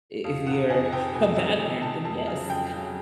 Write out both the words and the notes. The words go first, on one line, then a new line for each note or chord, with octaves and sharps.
I if you're a bad parent, then yes.
F2 F5
C3 D#3 F#5
F2 G#5
G#5
C3 D#3 G5
F2 G#5
C3 D#3 G#5
F2 G#5
C3 D#3 A5
F2 A5
C#3 F#3 G#5
F2 G5
C#3 F#3